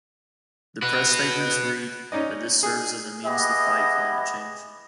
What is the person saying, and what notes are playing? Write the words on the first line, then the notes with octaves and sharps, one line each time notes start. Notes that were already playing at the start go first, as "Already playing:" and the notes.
The press statements read, that this serves as a means to "fight climate change".
F#4 B4
C#4 D#4 D5 D#5
G#4
B3 G4 G#4 D#5 E5 B5